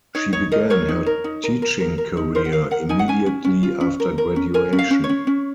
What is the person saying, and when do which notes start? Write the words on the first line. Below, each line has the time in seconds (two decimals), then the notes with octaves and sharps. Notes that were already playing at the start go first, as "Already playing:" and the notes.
She began her teaching career immediately after graduation.
0.15 D#4 C#5
0.33 D#4 C#5
0.52 A#4 D#5
0.70 A#4 C#5
0.88 D#4
1.06 A#4
1.24 D#4
1.44 A#4
1.62 A#4
1.80 A#4
1.98 A#4
2.17 D#4
2.35 A#4 C5
2.45 F#5
2.52 A#4 F5
2.71 A#4 F#5
2.89 D#4 G#5
2.99 F#5
3.08 C#4 G#5
3.26 C#4
3.45 C#4
3.63 F4
3.81 C#4
4.00 A#4
4.18 A#4
4.36 C#4
4.54 A#4 G#5
4.73 C#4
4.79 F5
4.91 C#4
5.04 C#5
5.09 C#4
5.27 C#4